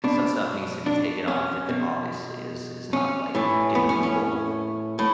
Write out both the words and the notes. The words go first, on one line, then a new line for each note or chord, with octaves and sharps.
Some stuff needs to be taken off if it obviously is is not, like, getting people,
B2 D4
D4
C#4
B2
C#4
A2 E3
B3
C#4
C#4
A2